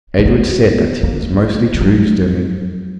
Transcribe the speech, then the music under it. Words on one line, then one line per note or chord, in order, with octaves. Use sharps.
Edred said that it was mostly True's doing.
A#3
B3
A#3
F3
F#3